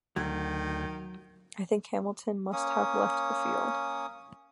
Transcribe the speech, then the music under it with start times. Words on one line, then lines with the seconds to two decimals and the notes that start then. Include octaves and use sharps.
I think Hamilton must have left the field.
0.16 D2 D#3 F#3 G5
2.53 A#3 C#4 D#6